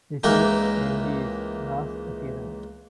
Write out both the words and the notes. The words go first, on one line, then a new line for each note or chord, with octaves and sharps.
This is Angie's last appearance.
C#2 E3 A#3 D#4 A#4